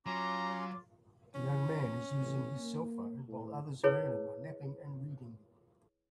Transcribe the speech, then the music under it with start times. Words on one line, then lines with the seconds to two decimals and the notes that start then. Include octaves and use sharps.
A young man is using his cellphone while others around him are napping and reading.
0.06 F#3 C#4 F4 A#5 C6 D6
1.35 E3 C#4
2.20 A1
2.58 A#3
3.28 A2
3.83 E4 G#4 B4 C#5